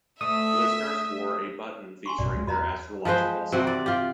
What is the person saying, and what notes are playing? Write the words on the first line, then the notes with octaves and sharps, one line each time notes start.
Listeners wore a button featuring their astrological sign.
D2 A3 A4 E5 D#6
G#5 C6 C#6
A1 F#2 B2 D5
C#2 G#3
E2 F#4 D#5 A#5
F3 G#3 B4 C5
C3 C4 F#4
D5
F4 G4